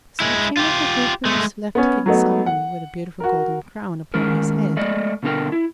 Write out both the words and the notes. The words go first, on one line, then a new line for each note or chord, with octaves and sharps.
So the King of the Hoopoes left King Solomon with a beautiful golden crown upon his head.
G#3 E4
F4 G4
G#3 A3
B3 C#4
F#3 A3 B3 D#4
F#5
F#4 A#4
D#3 G#3 C#4 A#4
G#3 A3 D5 D#5
B2 D3 C4 D#4 A#4 G5
E4